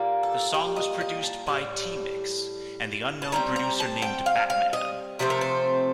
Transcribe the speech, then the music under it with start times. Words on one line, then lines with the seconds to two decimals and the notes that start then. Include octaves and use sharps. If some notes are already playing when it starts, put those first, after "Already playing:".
The song was produced by T-Mix and the unknown producer named Batman.
Already playing: A#2 G3 A#3
0.23 A4
0.54 G4
0.76 D#5
1.01 D#5
1.23 A5
1.47 A2 G3
3.22 A5
3.32 A2 G3 C4 A#5
3.56 A#5
3.80 A5
4.02 G5
4.26 F5
4.50 F5
4.73 D#5
5.19 C3 F3 A3 C4 C5
5.30 A#4
5.41 C5